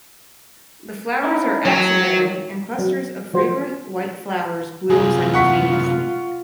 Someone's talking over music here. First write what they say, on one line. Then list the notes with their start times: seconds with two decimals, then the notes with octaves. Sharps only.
The flowers are axillary, and clusters of fragrant white flowers bloom simultaneously.
1.23 C#4 D#4 E4
1.65 F#3 C#5 G5
2.79 F#3
3.33 F3 F#3 F#4 C5
4.90 F#2 C3 F4 G#4
5.33 F#5 C#6 B6